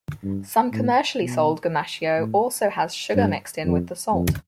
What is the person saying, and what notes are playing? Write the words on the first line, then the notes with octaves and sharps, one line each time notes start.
Some commercially sold gomashio also has sugar mixed in with the salt.
G2
A2
B2
A2
G2
F2
F2